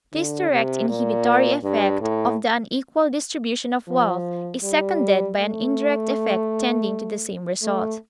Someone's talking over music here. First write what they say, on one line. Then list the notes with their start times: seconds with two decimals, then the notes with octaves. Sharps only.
This direct inhibitory effect of the unequal distribution of wealth is seconded by an indirect effect tending to the same result.
0.13 D3
0.51 C3
0.88 A#2
1.63 G2
2.01 A2
3.88 F3
4.63 G3
5.38 A3
7.62 A3